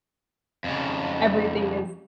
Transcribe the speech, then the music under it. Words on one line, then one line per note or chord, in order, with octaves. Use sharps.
everything is
F2 C#3